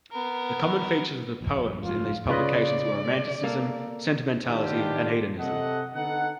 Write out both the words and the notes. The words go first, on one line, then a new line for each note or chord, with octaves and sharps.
The common features of the poems in these publications were romanticism, sentimentality and hedonism.
B3 A#4
A#1
F#1 G#2 F3 F4
C#3 F4 B4 D5 D#5
A#3 A4 F5
D#3 B3 D4 D#4 F4 G4
C3 A4 D#5 F#5
D3 B3 D#4 A4 F#5